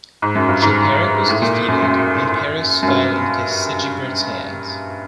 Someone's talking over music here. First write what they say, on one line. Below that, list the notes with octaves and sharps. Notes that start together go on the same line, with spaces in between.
Chilperic was defeated, and Paris fell into Sigebert's hands.
G#2
F#2
G2
G#2
A2
A#2
F#2
F#2
F#2
G2